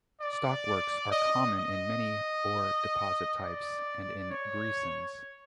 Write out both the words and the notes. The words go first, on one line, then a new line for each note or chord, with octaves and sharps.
Stockworks are common in many ore deposit types and in greisens.
D5
D#5
D#5
D5
C#5